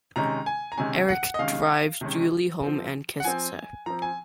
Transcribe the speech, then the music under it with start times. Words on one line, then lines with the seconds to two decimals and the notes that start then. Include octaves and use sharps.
Eric drives Julie home and kisses her.
0.16 C3 D#3 G#3 C#4 A#5
0.46 G#5
0.72 A#5
0.77 C3 D#3 G#3 C#4 G#5
1.09 F#5
1.34 D#5
1.39 C3 D#3 G#3 C#4 F5
2.01 C3 D#3 G#3 C#4
2.63 F3 C4
3.20 F#5
3.24 F3 C4 G#5
3.86 F3 C4 A#5
4.02 G#5